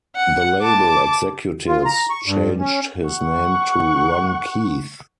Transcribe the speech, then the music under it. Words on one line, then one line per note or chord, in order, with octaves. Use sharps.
The label executives changed his name to Ron Keith.
F#5
A5 D6
F4
A#5
C#6
G2
C#4
F#5 C#6